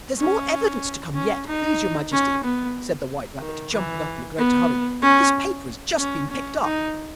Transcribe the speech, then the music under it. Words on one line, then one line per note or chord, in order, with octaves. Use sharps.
'There's more evidence to come yet, please your Majesty,' said the White Rabbit, jumping up in a great hurry; 'this paper has just been picked up.'
C#4
C#4
D#4
C#4
B3
D#3
E3
B3
C#4
C#4
C#4
D#4